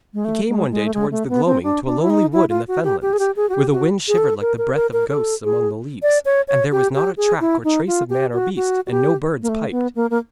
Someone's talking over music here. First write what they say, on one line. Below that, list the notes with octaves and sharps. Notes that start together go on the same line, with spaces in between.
He came one day towards the gloaming to a lonely wood in the fenlands, where the wind shivered like the breath of ghosts among the leaves, and there was not a track or trace of man or beast, and no birds piped.
G#3
A3
G#3
G#3
A3
G#3
A3
B3
C4
D4
D4
E4
D#4
E4
F4
F#4
G4
G4
G#4
G4
G#4
F#4
G4
F#4
G#4
A4
A#4
A#4
A#4
A#4
A4
G#4
D5
C#5
C#5
G4
G4
G#4
E4
D#4
F4
G4
F#4
F#4
F#4
G4
A#3
A3
B3
A#3
A#3